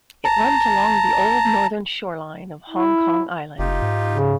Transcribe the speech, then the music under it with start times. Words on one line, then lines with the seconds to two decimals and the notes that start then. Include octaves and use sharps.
It runs along the old northern shoreline of Hong Kong Island.
0.25 A5 A#5
2.70 E4
3.59 F#1 D#4 F4 G4
3.82 G#2
4.14 C#3